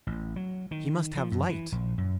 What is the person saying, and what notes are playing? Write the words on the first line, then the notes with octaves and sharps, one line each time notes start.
He must have light.
A1
F#3
D#3
F3
F#2
E3
A#1
F#2